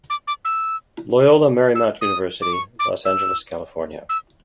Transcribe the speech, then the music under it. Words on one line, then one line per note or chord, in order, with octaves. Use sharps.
Loyola Marymount University, Los Angeles, California.
D6
D6
E6
E6
D#6
D6
C#6
D6
E6
E6